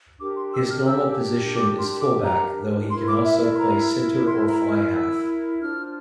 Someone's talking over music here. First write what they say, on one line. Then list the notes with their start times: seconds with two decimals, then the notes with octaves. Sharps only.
His normal position is fullback though he can also play centre or fly-half.
0.19 D4 G4 A#4 D6
0.36 C6
0.53 E6
0.70 F6
0.87 E6
1.55 D6
1.78 C6
2.00 D6
2.23 A#5
2.90 E4 A#4 C6
3.07 D6
3.24 E5
3.41 D5
3.54 C6
3.58 A#5
4.26 C6
4.49 A#5
4.71 F6
4.95 E6
5.62 D4 F4 C5 F6